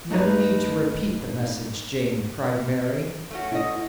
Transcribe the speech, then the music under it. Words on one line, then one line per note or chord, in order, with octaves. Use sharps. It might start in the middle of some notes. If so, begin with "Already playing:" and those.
"No need to repeat the message, Jane," cried Mary.
G2 A3 D#4 B4 A5 A#5
A3 C#4 F#4
E4 D#5